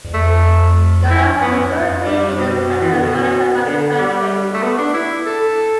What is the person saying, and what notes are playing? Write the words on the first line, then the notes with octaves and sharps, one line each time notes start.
Galax has historically been a center of furniture manufacturing.
A3
E4
B3
G3
B2
E3
D3
B2
D3
G3
A3
B3
D4
E4
A4